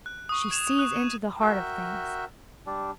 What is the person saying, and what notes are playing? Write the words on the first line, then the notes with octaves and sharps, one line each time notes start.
She sees into the heart of things.
F#6
C#6 D#6
G#6 E7 F7
F#6
D#7
F#4 A#4 E5 G5
G3 D4